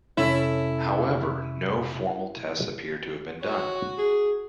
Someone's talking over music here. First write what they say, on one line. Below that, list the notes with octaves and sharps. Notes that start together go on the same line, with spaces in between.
However, no formal tests appear to have been done.
F2 C3 G#3 C#4 E4 A4
F#4 C#5
G#4